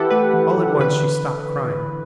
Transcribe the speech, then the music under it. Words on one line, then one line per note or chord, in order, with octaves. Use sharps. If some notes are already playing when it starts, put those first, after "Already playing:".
All at once she stopped crying.
Already playing: E3 E4 G4 A4 B4 F#5
A3 B4
E3
E3
D3 B4
D3